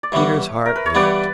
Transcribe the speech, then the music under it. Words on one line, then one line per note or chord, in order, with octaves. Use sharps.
Peter's heart leaped.
D5
G2 E3 G3 B3 C#5 E5
A#4
B4
C#5
G2 E3 G3 B3 B4 D5